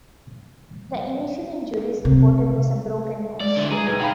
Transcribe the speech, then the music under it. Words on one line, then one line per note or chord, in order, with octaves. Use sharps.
The initial injuries reported was a broken nose.
C3
G#3 D5
D3 E4
G3 G#4 B4 A#5
B1 A#5 G#6
G#4 F5 G5 B5